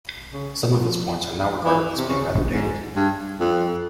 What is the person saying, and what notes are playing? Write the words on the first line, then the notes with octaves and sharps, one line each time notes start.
Some of its points are now regarded as being rather dated.
C#3
F3
E3
C3
C#3
G#2
G2
F2